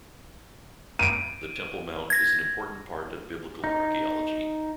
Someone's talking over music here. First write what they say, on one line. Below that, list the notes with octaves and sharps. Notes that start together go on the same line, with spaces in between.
The Temple Mount is an important part of Biblical archaeology.
D7 D#7
G#6 A#6
D#4